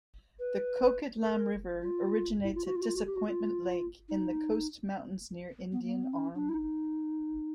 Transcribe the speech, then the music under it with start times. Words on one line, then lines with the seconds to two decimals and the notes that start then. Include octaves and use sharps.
The Coquitlam River originates at Disappointment Lake in the Coast Mountains near Indian Arm.
0.39 B4
1.21 A#4
1.82 F4
2.44 E4
2.55 F4
2.65 F#4
2.76 F4
2.81 F#4
2.86 F4
2.95 F#4
3.06 G4
3.16 F#4
3.27 F4
4.09 D#4
5.72 B3
5.83 A#3
5.93 B3
6.03 C4
6.13 C#4
6.35 D4
6.49 E4
6.54 D#4